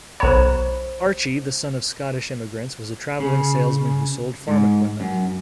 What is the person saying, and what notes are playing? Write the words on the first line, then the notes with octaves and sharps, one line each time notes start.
Archie, the son of Scottish immigrants, was a traveling salesman who sold farm equipment.
B1 C5 C#5 A#5 B5
C#3
G#2
F#2